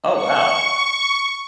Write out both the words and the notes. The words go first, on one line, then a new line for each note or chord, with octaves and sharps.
Oh, wow.
C#6